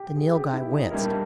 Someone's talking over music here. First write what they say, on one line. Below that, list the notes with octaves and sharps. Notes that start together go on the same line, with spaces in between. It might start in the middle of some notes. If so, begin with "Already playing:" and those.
The Nilghai winced.
Already playing: G4
G#4
G4
E4
D#4
G2 G3 A#3 E4 A#4